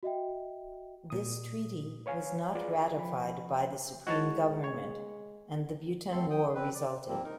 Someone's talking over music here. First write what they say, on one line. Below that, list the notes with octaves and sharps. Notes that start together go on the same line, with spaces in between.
This treaty was not ratified by the supreme government, and the Bhutan War resulted.
F#4 D#5 E5 G5
A#2 D#6
B4 C#5 F5 G#5
F4 G#4 B4 D5
F3 B5
G#3 E4 F#4 C#5 D#5 A5
C#5
F2 F#3 A3 C4 A4 C6
G5 D#6
C4 B4
D5
G#2 F3 G3 A#3 C4
D#4 A#4